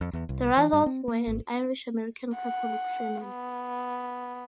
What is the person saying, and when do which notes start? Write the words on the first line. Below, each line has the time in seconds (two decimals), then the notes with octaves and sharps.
The Russells were an Irish-American Catholic family.
0.01 F2
0.13 E2
0.29 C2
0.57 E3
0.73 G2
0.86 C4
1.08 A#3
1.27 G#1
2.37 F#5
3.23 B3